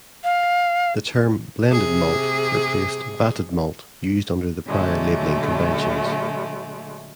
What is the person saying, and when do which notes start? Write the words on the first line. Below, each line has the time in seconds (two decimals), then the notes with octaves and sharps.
The term "blended malt" replaced "vatted malt" used under the prior labelling conventions.
0.24 F5
1.69 C3 G#4
4.66 A#2 D3 F#3 G#3 A3